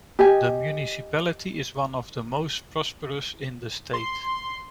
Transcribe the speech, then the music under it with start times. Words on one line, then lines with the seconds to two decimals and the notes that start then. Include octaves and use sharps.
The municipality is one of the most prosperous in the state.
0.19 G4 D#5 G#5
3.93 C6